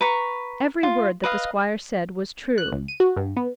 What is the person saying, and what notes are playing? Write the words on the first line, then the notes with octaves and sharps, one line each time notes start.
Every word that the squire said was true.
B4 A#5 C#6
F4
B4 D#5 F5
F#6
C#2
D#7
F#4
G2
B3